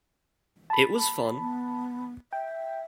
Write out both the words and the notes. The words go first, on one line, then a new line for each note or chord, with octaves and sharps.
It was fun.
A5 B5
B3
E5 G5